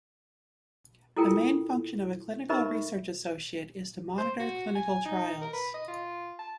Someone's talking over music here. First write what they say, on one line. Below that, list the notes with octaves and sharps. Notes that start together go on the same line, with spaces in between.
The main function of a clinical research associate is to monitor clinical trials.
E4 F4 A4 A#4 G5
D#4 A#4 B4 E5 B5 C#6
C5
F#4
G#5
D#4
A#4
B4
D#5
F4
A5